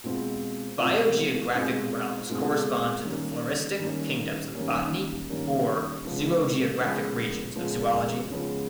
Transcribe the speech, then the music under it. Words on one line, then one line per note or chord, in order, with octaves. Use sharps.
Biogeographic realms correspond to the floristic kingdoms of botany or zoogeographic regions of zoology.
B2 G#3 C4 F4
B2 G#3 C4 F4
B2 G#3 C4 F4
B2 G#3 C4 F4
D#3 G3 A#3 C#4
D#3 G3 A#3 C#4
D#3 G3 A#3 C#4
D#3 G3 A#3 C#4
C#3 F3 G#3 B3
C#3 F3 G#3 B3
C#3 F3 G#3 B3
C#3 F3 G#3 B3